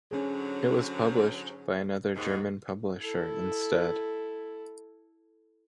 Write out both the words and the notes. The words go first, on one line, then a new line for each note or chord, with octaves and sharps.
It was published by another German publisher instead.
G#2 D3 F#3 C#4 G#4
D#2 G#2
E4 A4